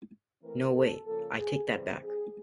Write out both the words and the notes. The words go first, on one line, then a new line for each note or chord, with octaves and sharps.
No, wait: I take that back.
E3 A3 C4 A#4
A4
C#3 F3 A#3 A4
G#4
C3 E3 G3 C4
G#4